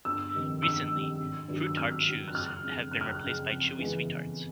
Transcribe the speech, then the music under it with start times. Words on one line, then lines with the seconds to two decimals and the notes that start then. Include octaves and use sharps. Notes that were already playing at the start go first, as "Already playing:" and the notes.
Recently, FruiTart Chews have been replaced by Chewy SweeTarts.
0.05 G1 E6
0.33 F2 C3 D#3 G3
0.62 G1 E6
0.91 F2 C3 D#3 G3
1.20 G#1
1.48 G2 D#3 F#3
1.66 E6
1.77 G#1 F6
2.06 G2 D#3 F#3
2.28 F#6
2.34 F#1 F6
2.63 F2 C#3
2.91 F#1 F#6
3.01 F6
3.10 F#6
3.20 F2 C#3
3.50 F2
3.78 C#3 E3 G#3 B3